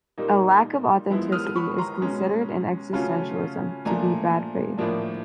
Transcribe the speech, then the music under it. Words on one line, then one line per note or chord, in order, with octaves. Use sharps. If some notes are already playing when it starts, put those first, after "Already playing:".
A lack of authenticity is considered in existentialism to be "bad faith".
A#2 G3 A#3 D#4
F3 G#3 B3 E4
D#6 F6
B5 C#6
A#5 C6
B2 G#3 C#4
C#3 F#3 A3 C#4 F4
A#2 F3 A3 D4 G#5 A#5
A2 F3 A#3 D4